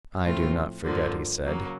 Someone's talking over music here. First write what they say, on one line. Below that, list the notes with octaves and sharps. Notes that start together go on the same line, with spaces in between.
"I do not forget," he said.
A2 F3 A3 C4 F4
G2 D3 F3 A#3
C#3 F#3 A#3